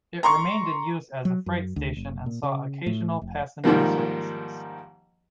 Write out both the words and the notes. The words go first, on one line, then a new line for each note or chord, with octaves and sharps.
It remained in use as a freight station and saw occasional passenger services.
A#5 C6 C#6
F#3
F#2
D2
F#1
A#2
C#3
A2
F1
G#2 D#3 F3 G3 A#3